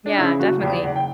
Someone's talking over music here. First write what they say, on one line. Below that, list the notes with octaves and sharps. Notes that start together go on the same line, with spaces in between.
Yeah, definitely,
D4
C#3 E4
F#1 F#4
E2 G4
D5
F#1 F#5
G5